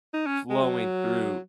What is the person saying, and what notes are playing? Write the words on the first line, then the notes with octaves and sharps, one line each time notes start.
flowing through
D#4
C#4
G#3
F#3